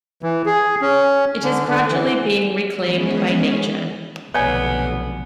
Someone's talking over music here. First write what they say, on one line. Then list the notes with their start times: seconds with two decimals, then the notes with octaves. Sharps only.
It is gradually being reclaimed by nature.
0.22 E3
0.46 G#4
0.81 C#4
1.43 D3
1.68 D3
1.90 E3
2.81 E3 G#3 B3 C#4 G#4
4.34 F1 B1 D3 B3 C#5 D5 G#5